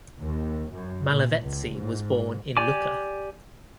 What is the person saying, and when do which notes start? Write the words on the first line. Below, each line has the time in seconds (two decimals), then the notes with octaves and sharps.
Malevezzi was born in Lucca.
0.20 D#2
0.70 F#2
1.08 A#2
1.40 C#2
1.76 G#2
2.57 G4 D5 G#5 D6